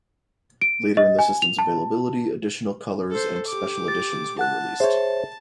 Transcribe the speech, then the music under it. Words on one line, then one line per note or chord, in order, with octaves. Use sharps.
Later in the system's availability, additional colours and special editions were released.
D7
D#5
G#5
F7
A5
A4 C5
G4 D6
A6
F#5 A5 F#6
G#4 C5 C#5 E5